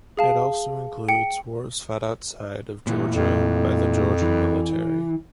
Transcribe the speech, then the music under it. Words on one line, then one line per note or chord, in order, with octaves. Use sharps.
It also includes wars fought outside of Georgia by Georgian military.
G#4 F5 A5
G5 C#7
A#2 E3 A3
F2
E3